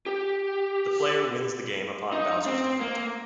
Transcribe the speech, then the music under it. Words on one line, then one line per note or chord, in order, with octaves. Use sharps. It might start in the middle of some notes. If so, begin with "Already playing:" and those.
The player wins the game upon Bowser's defeat.
G4
D#4
C4
A#3